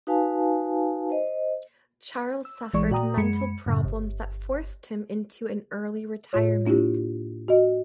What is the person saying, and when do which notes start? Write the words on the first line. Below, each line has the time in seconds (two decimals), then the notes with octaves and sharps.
Charles suffered mental problems that forced him into an early retirement.
0.07 D#4 F#4 B4 F5 G#5 A5
1.10 C5 D#5
2.45 E6
2.74 A#1 E3 G#3 D5 C#6
2.91 A#2 F#4 D5 G5 A#5 D#6
3.17 F#2 G#3 B5 C#7
3.66 F#2 A2 C#3
3.85 G1
6.33 A2 F4 C#5
6.66 A#3 D4 E4 F4 G4
7.48 F#4 D#5